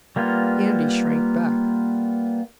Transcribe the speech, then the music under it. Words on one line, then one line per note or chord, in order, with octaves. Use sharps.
Andy shrank back.
G3 A#3 B3 F4